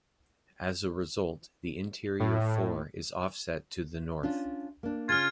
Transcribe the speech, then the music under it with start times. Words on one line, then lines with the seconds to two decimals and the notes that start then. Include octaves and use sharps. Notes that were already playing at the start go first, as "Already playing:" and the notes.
As a result, the interior floor is offset to the north.
2.20 A2
4.23 C#4 D4 F4
4.83 A#3 D4
5.09 C#3 C#4 F4 F6 G#6